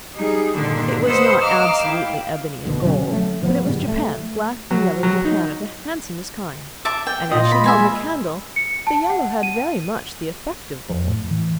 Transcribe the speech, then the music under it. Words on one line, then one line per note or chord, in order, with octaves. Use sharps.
It was not absolutely ebony and gold; but it was japan, black and yellow japan of the handsomest kind; and as she held her candle, the yellow had very much the effect of gold.
G3 D#4 G#4
G2 A#2 D3 D#3 D4
B4 C5 D#5 F#5 D#6 E6
D#5 F5 A#5 D6 E6 F6
E4 F5 G5
G1 D2 B2
B2 D3 F#3 C#4
F#3 A3
G2 F3 F#3 B3
F#2 A2 C#3 G3
A3
F#3
F#3
D#4
E5 A5 D6
G5
A#2 F4 D#5 D#6
B5
G#3 E5 G#5 B5
C#7
A5
F#5
D#7
F2
A2
E3